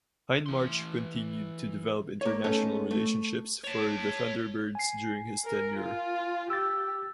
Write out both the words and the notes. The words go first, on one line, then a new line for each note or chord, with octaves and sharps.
Hindmarch continued to develop international relationships for the Thunderbirds during his tenure.
E3 C6
A#3 C#5
A3 B3 C#4 D#4 A4 C#5
A3
C#5 A5
G#5 C7
A#4
F4
G4 E6 A6